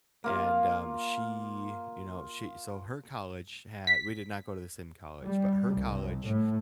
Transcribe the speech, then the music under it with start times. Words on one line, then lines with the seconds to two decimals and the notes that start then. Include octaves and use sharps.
and, um, she, you know, she so her college had we did not go to the same college, but her college
0.24 A#3 F4 F5
3.87 B6
5.23 G3
5.74 C2
6.25 A2